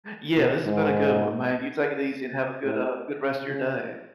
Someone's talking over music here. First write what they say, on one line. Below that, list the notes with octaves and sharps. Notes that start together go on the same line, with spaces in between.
Yeah, this has been a good one, man. You take it easy, and have a good, uh, good rest of your day.
B2
G#2
A2
C#3